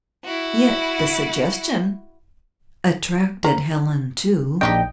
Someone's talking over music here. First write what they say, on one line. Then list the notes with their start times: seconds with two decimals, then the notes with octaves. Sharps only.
Yet the suggestion attracted Helen, too.
0.23 E4 F#4
3.44 A#4 C5 A#5
4.61 A#1 D4 D#4 G4 D#5 G5